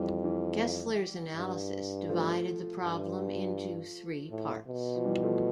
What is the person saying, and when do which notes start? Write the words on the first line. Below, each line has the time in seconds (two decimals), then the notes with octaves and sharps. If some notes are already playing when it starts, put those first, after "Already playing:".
Kessler's analysis divided the problem into three parts.
Already playing: F2 E3 G3
0.24 E3
1.36 G2
2.09 F3 A3
2.83 G2
4.31 A2
4.68 B2
4.95 F3
5.05 E3 G3
5.23 F3 A3